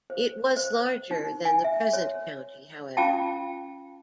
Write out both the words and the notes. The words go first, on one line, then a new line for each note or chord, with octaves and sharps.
It was larger than the present county, however.
C5
C5
D#4
G#5
E5
C#5
C#4 F4 F5 G5 A5